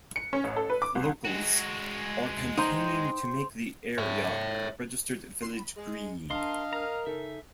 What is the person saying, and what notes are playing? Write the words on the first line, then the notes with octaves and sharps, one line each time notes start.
Locals are campaigning to make the area a registered village green.
C#7
C#4
A1
A4
B4
D6
C2
G#3 F#4
D#4 C5 G5
C#5 E5
G#3
D4 A#4 D#5 F5 A5 C6
A#4 A#5 F6
C#3 D#4 A4 E5